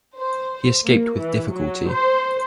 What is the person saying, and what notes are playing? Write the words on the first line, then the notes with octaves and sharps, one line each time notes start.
He escaped with difficulty.
C5
A#3
E3
F#3
C5